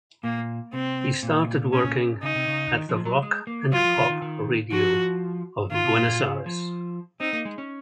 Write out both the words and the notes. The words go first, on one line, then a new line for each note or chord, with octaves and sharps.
He started working at the Rock and Pop radio of Buenos Aires.
A#2 A#3
C3 C4
A#2
C#4
C#3 D#4
C3
C#3
D#3
F3
F#3
G#3
A#3
F#3 F4
F3
D#3
D#3
D#3
F3 F#4
D#3 F4
C3
G#2
A#2
C#3
F3
C4 D#4
A#3
G#3
C#4